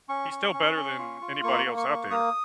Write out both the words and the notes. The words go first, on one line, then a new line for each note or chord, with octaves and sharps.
He's still better than anybody else out there,
C#4 C#6
C#4
C#4
C#4
F4
F4
A#3 C#6
A#3
C#6
A#3
A#3 D#6